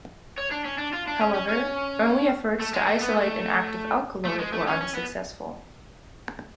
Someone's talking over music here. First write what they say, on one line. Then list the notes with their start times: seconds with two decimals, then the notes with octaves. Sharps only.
However, early efforts to isolate an active alkaloid were unsuccessful.
0.38 C#5
0.52 D4
0.65 C#4
0.79 D4
0.93 F4
1.07 D4
1.21 C#4
1.34 C#4
1.49 C#4
2.59 A3
2.73 G#3
2.87 A3
3.01 B3
3.14 A3
4.25 A3
4.39 G#3
4.53 A3
4.67 C#4
4.81 C#4
4.94 B3